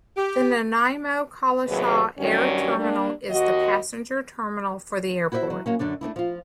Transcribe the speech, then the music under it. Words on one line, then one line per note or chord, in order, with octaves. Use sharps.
The Nanaimo-Collishaw Air Terminal is the passenger terminal for the airport.
G4
D#2 A2 C3 F#3 G#4 B4
G2 D#3 F#3 G3 C#4 F#4
G3 A#3 D4
D#2 F#4 D#5
E4 F#4 C5 D5 E5
F#3
F#3 A#3 C#4
F#2 D3 D4 D5
A3 C4 D4 E4
F3 F4